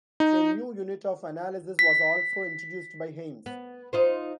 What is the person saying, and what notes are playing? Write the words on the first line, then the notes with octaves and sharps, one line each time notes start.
A new unit of analysis was also introduced by Hymes.
D#4
B6
B3
D#4 F4 C5